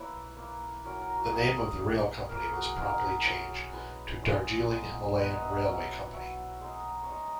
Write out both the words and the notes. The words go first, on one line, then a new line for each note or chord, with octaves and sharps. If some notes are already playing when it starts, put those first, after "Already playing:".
The name of the rail company was promptly changed to Darjeeling Himalayan Railway Company.
Already playing: A#3 E4 B4 C#5 E5
A#3 E4
F#3 C#4 E4 A#4
A#4
F#4
F#3 C#4 E4 G#4
A#3 E4
A#3 E4 A#4
G#4
F#4
G#4
F#3 C#4 E4 A#4
F#3 C#4 E4
G#3 C#4 E4 B4
G#3 C#4 E4
G#3 B3 D#4
G#3 B3 D#4 B4
D#5
E5
F#5
F#3 C#4 E4
F#3 C#4 E4 E5
G#3 D#4
C#5
G#3 D#4 D#5